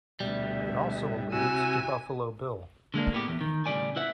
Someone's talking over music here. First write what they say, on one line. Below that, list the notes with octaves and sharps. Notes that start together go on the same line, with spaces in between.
It also alludes to Buffalo Bill.
D2 B2 G3 E5
C3 E4 F#4 G#5 E6
D3 G#3 A#3 D4
A2 B3 G4
E2
D#3
A2 C#3 G3 D5 G#5
E4 B4 E5 F#5